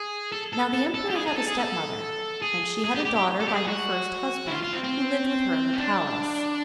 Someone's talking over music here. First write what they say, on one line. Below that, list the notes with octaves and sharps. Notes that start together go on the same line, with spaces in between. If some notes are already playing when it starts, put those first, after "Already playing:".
Now the emperor had a stepmother, and she had a daughter by her first husband, who lived with her in the palace.
Already playing: G#4
A4
A4
A4
A4
G4
G#4
G#4
A4
G#4
A4
G#4
G#4
G4
G4
G4
A4
G4
G#4
F#4
E4
F4
F4
C4
C4
C#4
D4